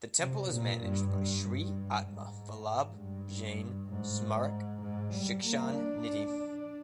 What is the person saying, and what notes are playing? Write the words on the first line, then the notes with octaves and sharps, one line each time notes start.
The temple is managed by Shree Atma Vallabh Jain Smarak Shikshan Nidhi.
C3
A#2
G2
G2
G2
G#2
G2
G#2
G#2
G3
A#3
D4